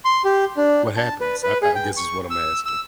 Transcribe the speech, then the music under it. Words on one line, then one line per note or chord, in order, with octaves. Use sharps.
What happens, I I guess is what I'm asking.
C6
G4
D4
A5
B4
B4
G#4
G5
C#6
E6
E6